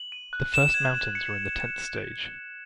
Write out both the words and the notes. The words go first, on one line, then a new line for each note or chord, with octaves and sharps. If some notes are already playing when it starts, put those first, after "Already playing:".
The first mountains were in the tenth stage.
Already playing: F#7
D#7
F#6
E7
G#6
E7
C#7